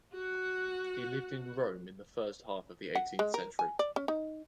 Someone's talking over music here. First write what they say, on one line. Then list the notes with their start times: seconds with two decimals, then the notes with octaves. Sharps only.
He lived in Rome in the first half of the eighteenth century.
0.13 F#4 F#5
2.95 F#5
3.19 G#3
3.34 A#4
3.59 G#5
3.79 D5
3.96 C#4
4.08 D#4